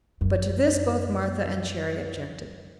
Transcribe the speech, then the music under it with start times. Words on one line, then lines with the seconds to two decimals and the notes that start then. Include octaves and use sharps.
But to this both Martha and Cherry objected.
0.21 F#2